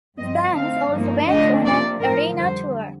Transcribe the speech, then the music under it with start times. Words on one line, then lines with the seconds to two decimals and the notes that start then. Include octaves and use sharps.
The bands also went on an arena tour.
0.18 G2 F3 C4 D#5
0.54 D3 A3 C4 D#4 F5
0.91 G2 D3 F3 A#3 D#4
1.27 D3 F3 A3 D4 D#5
1.64 C3 F3 A#3 D5
2.02 A2 F3 A3 D#4 A#4
2.38 F2 D3 G3 C5